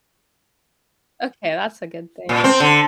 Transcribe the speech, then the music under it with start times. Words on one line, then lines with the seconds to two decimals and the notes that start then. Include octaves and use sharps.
Okay, that's a good thing.
2.29 A#2
2.44 C4
2.60 D3